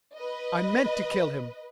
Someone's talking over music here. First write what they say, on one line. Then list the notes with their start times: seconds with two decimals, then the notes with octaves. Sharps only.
I meant to kill him.
0.15 B4 D#5